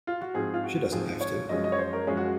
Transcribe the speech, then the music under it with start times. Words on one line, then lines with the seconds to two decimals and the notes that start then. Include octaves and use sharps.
She doesn't have to.
0.07 F4
0.21 F#4
0.34 G#2 F3 C4 G#4
0.54 F4
0.63 F#4
0.92 G#2 F3 C4 G#4
1.21 C#5
1.49 F#2 F3 G#3 C#4 D#5
1.64 D#5
1.72 C#5
1.78 C5
1.93 A#4
2.07 F#2 F3 G#3 C#4 G#4
2.17 F#4